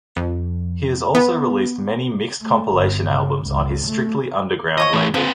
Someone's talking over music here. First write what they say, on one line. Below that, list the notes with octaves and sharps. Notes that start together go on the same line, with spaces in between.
He has also released many mixed compilation albums on his Strictly Underground label.
F2
B3
A3
G1
C#3
C#2
A3
F3 C#5 D#5 C#6
E3 A3
F3 C4 B4